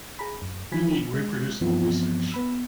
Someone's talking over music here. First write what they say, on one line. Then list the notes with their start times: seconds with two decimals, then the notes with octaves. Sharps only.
We need reproducible research.
0.19 G#4 A#5 B5
0.42 F#2
0.72 F3 G#5 B5 B6
1.14 G#3
1.61 G2 E3 F3 B3 C4
2.32 B3 B5 E6